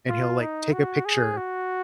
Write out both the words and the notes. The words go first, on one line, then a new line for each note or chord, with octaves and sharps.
and he'll, like, take a picture,
F4
D#4
F#4
G#4
F#4